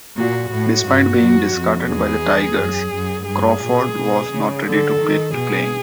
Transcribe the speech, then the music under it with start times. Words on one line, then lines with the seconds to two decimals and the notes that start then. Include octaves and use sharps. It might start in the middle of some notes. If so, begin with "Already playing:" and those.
Despite being discarded by the Tigers, Crawford was not ready to quit playing.
0.17 A#2 F#4
0.52 A2 F#4
0.86 G2
1.20 F#2
1.55 F2
1.90 E2 G#4
2.58 F#2
2.93 F#2
3.27 G2 G#4
3.63 A#2
3.97 B2
4.31 C#3
4.66 D3 A4
5.00 D#3
5.34 B2 G#4